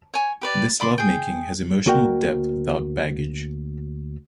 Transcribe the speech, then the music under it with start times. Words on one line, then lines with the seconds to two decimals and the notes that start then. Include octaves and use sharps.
This lovemaking has emotional depth without baggage.
0.14 C#5 G#5
0.41 G4 B4 D5
0.80 D5 B5 C6 D6
0.98 G#4 G5
1.86 D2 A#3 F#4 A#4 G5